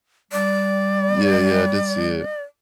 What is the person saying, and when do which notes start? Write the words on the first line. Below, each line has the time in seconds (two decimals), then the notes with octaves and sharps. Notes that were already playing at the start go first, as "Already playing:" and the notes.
Yeah, yeah, I did see it.
0.32 G3 D5